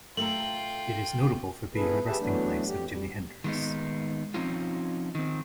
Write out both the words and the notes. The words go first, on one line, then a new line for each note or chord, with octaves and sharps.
It is notable for being the resting place of Jimi Hendrix.
A3 F4 A4 G5 A#5 F#7
B3 E4 G#4 A4 B4
G4 G#4 B4 E5 A5
E3 F#3 A3 B3 D4
F2 G4
G3
D#3 G#3 B3 D#4
F3 C4 C#4 D#4 F4
D#3 C4